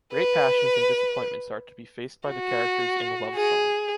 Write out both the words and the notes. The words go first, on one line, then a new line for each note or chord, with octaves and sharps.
Great passions and disappointments are to be faced by the characters in Love Song.
B4
F#4
G#4